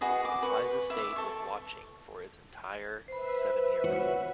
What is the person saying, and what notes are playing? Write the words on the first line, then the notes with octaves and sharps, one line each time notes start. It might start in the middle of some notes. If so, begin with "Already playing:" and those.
Liza stayed with Watching for its entire seven-year run.
F#4 G#4 B4 D#5
D6
B4 C#6
E5 D6
A4 C#6
B4 C5 E5 B5
F#4 C#5